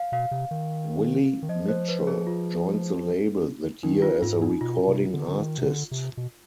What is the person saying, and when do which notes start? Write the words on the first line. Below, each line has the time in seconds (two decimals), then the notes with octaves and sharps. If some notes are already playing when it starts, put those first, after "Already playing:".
Willie Mitchell joined the label that year as a recording artist.
Already playing: F5
0.12 B2 F5
0.31 C3
0.51 D#3
1.42 D#3
1.49 F3 D#5
1.68 C5
1.88 B4
2.07 G#4
2.27 F4
3.83 D#3 D#4
4.02 F4
4.22 G#2 F4
4.42 D#4
4.61 B2 F4
4.87 C3
5.13 D3
5.28 D3
5.39 D#3
5.58 C3
5.65 D3
5.91 C3
6.17 B2